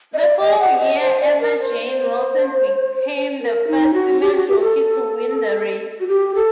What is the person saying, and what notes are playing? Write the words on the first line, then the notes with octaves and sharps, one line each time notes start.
The following year, Emma-Jayne Wilson became the first female jockey to win the race.
D#5
D5
D#5
F#5
D#5
C5
D5
A#4
C5
A#4
D#4
F#4
G4
F#4
G4
A4
F#4
G4
A4